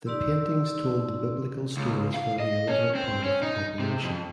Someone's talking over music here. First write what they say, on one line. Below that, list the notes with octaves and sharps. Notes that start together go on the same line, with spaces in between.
The paintings told the biblical stories for the illiterate part of the population.
D#4 G4 D5 C6 E6
C#2
F5
D#5
C#4
C4
C#4
D#4
C3
F2